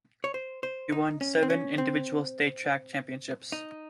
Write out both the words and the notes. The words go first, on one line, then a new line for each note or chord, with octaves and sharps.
He won seven individual state track championships.
C#5
C5
C5
D#4
C#4
C4
C#4
C4
D#4